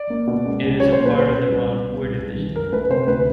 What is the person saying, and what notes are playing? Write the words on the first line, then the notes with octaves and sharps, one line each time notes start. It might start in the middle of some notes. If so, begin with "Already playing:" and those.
It is a part of the Rangpur Division.
Already playing: D5
A#3
B2
C#2
C#2
F#3 C#5
C5
A#2
B4
C#4 C5
B2 B4
C2
B3
B2
C2
C2
D#3
F#2 A#4
A3 B4
C3 C5
D2 B4